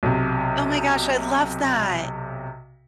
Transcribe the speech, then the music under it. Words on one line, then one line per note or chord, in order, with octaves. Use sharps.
Oh my gosh, I love that.
B1 C3